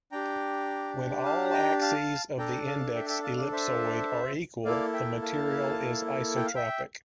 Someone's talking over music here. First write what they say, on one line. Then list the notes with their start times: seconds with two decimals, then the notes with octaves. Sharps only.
When all axes of the index ellipsoid are equal, the material is isotropic.
0.12 D4 G4 G5 A#5
1.25 F5 A5
1.50 A5
1.53 G5 A#5
1.81 F5 A5
2.38 D4 A4 G5 A#5
2.67 F5 A5
2.95 E5 G5
3.09 E5 G5
3.23 F5 A5
3.38 D5 F5
3.52 C5 E5
4.65 A#3 E4 A4 D5 F5
4.93 E5 G5
5.22 F5 A5
6.36 G5
6.45 F5
6.55 E5 G5